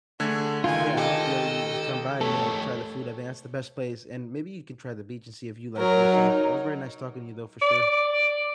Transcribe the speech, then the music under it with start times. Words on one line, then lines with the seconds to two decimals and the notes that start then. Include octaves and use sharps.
Yeah, I hope you ever you you come by, and, you know, you try the food. I think that's the best place, and, maybe, you can try the beach, and see if you like it yourself. It was very nice talking to you, though, for sure.
0.20 D3 A3 G#4 G#6
0.64 C#2 D#3 F4 G#5
0.98 G4 A4 D#5 E6
2.21 A3 G4 A4 C#5
5.77 F#3 A#4
6.15 D#4
7.62 D5